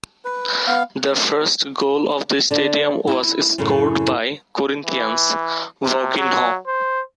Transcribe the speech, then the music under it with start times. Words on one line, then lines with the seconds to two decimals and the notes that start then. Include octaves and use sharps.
The first goal of the stadium was scored by Corinthians' Vaguinho.
0.25 B4
0.67 B3 F5
2.51 D3 D4
3.07 E4
3.58 F#2 A2 C#3 A3
4.86 E3
5.83 C3
6.18 F#3
6.67 C5